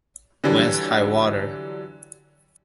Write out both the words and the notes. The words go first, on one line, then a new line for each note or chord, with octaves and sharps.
When's high water?
D3 E3 F#3 G3 D4